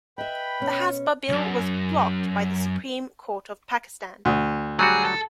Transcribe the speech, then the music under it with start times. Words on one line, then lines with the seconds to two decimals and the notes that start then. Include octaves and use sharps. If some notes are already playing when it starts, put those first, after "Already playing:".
The Hasba bill was blocked by the Supreme Court of Pakistan.
0.18 B4 D#5 E5 G5 B5
0.60 B2 C#4
1.29 C2 F#2
4.25 D2
4.79 F#3 G3 F#4 G#4
5.05 A4